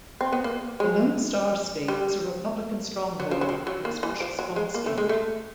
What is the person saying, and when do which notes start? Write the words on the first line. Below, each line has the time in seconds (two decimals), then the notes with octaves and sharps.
The Lone Star State is a Republican stronghold and is Bush's home state.
0.21 C4
0.32 B3
0.44 A#3
0.80 G#3
1.88 G3
3.20 F#3
3.31 F3
3.41 F#3
3.49 F3
3.67 F#3
3.85 A#3
4.03 E3
4.20 F3
4.39 F#3
4.56 G#3
4.74 A#3
4.86 A3
4.98 G#3
5.09 A3